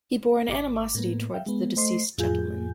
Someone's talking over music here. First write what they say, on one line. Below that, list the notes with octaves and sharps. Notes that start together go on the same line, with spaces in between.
He bore an animosity towards the deceased gentleman.
G#1 D6
A2 A#3 B3
E5 F5 G5
G#3 B3
A3 C5 D#5 C6 C7
F2 A2 F4 G#4 G#5 G6